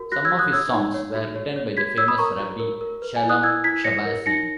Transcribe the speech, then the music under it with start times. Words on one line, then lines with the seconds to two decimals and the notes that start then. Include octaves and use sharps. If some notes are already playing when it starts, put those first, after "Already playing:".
Some of his songs were written by the famous Rabbi Shalom Shabazi.
Already playing: F#4 A#4
0.12 F#4 F#6 A#6
0.25 E6 G#6
0.32 F#4
0.39 D#6 F#6
0.52 C#5 E6 G#6
0.74 D#4
0.94 C#5
1.15 F#4
1.36 C#5
1.56 C#5
1.77 F#4 G#6 B6
1.97 C#5 E6 G#6
2.08 B5 D#6
2.18 A#4 A#5 C#6
2.40 F#4
2.60 A#4
2.81 A#4
3.02 B4
3.16 G#5
3.23 E4
3.29 D#6 F#6
3.43 E4 E6 G#6
3.64 E4 G#6 B6
3.84 C#5 A#6 C#7
4.05 A#4
4.26 D#4 A#6 C#7